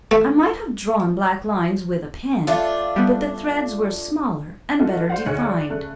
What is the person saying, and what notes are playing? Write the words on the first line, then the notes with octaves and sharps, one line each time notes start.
I might have drawn black Lines with a Pen, but the Threds were smaller and better defined.
A3
A3 D4 F4
G3 B3
D#4 F4 F#4 A4
F#4 C5 D5 F5 F#5
D2 D#4 G#4 C#5 F#6 C#7
D5
C#3 A3 F#6